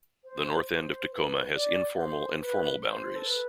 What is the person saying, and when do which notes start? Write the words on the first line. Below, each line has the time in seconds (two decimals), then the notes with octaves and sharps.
The North End of Tacoma has informal and formal boundaries.
0.24 C5
0.68 C5
1.11 B4
1.54 D5
1.97 C5
2.40 B4
2.83 C5
3.16 A4
3.27 B4